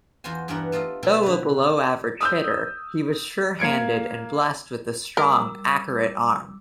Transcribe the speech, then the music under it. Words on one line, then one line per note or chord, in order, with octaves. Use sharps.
Though a below-average hitter, he was sure-handed and blessed with a strong, accurate arm.
E2 F4 F#4 C5 G#5
G2 E3 B3 D4 A#4 F#5
A3 F4 A4 D#5 F5
B2 E4 A4 G5
D3 B4
D#6 E6 G6
A#3 G#6 C#7 D7
G3 A#4 D6 E6